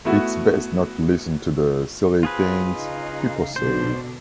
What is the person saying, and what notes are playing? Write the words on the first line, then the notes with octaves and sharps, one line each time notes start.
It’s best not to listen to the silly things people say.
A3 B3 E4 F#4
C4 F4 G#4 B4
C#3 D#4 F5
B2 D3 D4 C5